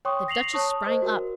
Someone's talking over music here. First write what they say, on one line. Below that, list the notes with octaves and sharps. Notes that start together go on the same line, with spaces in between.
The Duchess sprang up.
C#5 G5 C6 C#6 D#6
A#6 C7 F7 F#7
C#5 A5 C#6 D#6
C5 D#5
F#4 A#4